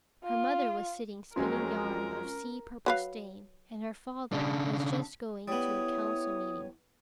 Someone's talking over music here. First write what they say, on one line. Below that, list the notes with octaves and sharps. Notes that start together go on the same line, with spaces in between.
Her mother was sitting spinning yarn of sea-purple stain, and her father was just going to a council meeting.
F4
F2 F#3 G#3 C#4 F4 A#4
F#3 B4 F5
C#3 D4
G3 B3 E4 C#5 D#6